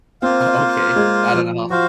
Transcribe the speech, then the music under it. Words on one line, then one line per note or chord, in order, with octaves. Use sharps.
Okay. I don't know.
A#3 C4 F4 C5 F5
G#3
F3
F3 F#4 C5 F5